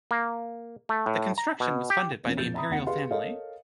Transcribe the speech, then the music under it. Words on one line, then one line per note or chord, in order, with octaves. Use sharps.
The construction was funded by the imperial family.
A#3
A3
A2
A#5
B2
G4
E1 F3 A#3 C#4
F1 A#2 F3 A#3 G6 A6
E5 A#5 B5 D#6
D#2 C4 F#5 C#7
G4 G#4 B4 F5 C6
A4 A#4 C#5 D#5 F5